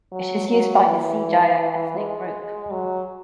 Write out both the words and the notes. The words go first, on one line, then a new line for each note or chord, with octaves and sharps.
It is used by the Sea Dayak ethnic group.
F#3
F#3
E3
G#3
F#3